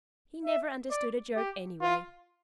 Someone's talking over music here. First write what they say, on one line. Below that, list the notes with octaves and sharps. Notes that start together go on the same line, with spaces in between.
He never understood a joke anyway.
E5
D5
G4
F4